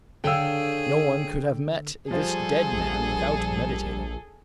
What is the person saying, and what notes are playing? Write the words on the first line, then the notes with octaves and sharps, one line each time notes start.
No one could have met this dead man without meditating.
D3 G#4 A4 C#5 F5 G5 E6
F3 G3 F4 G#4 A4 C5
A#1